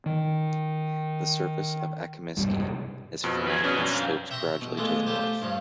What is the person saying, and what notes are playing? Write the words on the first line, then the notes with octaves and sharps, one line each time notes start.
The surface of Akimiski is flat and slopes gradually to the north.
D#3
E1 C2 G2
F2 B2
G#4 B4
B2 C#4 D4 B4
F#2
C4 F5
E5 G5 A#5 C6 C#6
B2
E3 G#3 A3 B3 F4
A3 F4 G4 C5
G2 F3 C#5